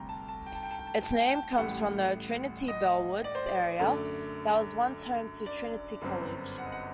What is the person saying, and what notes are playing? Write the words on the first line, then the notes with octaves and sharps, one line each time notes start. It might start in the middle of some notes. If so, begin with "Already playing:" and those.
Its name comes from the Trinity-Bellwoods area that was once home to Trinity College.
Already playing: D2 C3 G3 G5 A#5
A5
A5
G5
A5
G5
A5
G5
A5
G5
A5
G5
A5
G5
A5
G5
A1 A2 G3 F#5
D#5
D5
C5
D5
F#2 D3 A3
D5
G1 F#2 F#3 C4
F#5
D#5
F#5